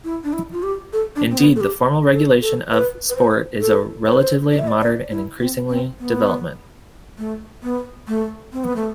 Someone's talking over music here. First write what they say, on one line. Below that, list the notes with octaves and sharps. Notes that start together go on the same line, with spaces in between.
Indeed, the formal regulation of sport is a relatively modern and increasing development.
E4
D4
E4
F4
G4
A4
D4
C4
B3
A4
G4
A4
A4
B4
B4
C5
A4
C5
B4
C5
D5
E5
D5
D5
E4
C4
C4
B3
A3
B3
A3
C4
B3
A3